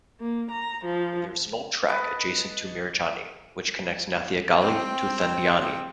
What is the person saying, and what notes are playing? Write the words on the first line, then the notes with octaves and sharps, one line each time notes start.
There is an old track adjacent to Mirajani which connects Nathia Gali to Thandiani.
A#3
A#5
F3
B4 D#5 A5
C4 G5